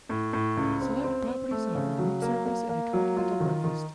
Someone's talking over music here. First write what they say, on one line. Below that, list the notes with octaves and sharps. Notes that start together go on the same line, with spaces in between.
Selected properties offer room service and a continental breakfast.
A2
A2
C#2
C4
C4
C4
A3
C#3
F#3
A#3
A#3
A#3
F#3
F4
D#3
D#3